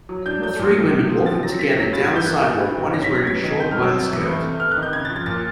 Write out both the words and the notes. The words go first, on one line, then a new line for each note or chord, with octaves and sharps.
Three women walking together down the sidewalk, one is wearing a short white skirt.
F#3
D4 G6
F#3 G6
A#2
F3
C3
F3
C4 A6
F#3 A#6
C#4 B6
A#6
F#3
G2 A6
E3 G#6
G6
A#3 F#6
B2
G2
D#3
C#4 A#6
B6
F#3
A#6
B3 G#6
D#3
C4 G6
F6
F#3
E6
C3
E3
A3
C3
B3 F6
F#6
D#3
G6
C#3 G#6
A6
F3
A6
A#2 A6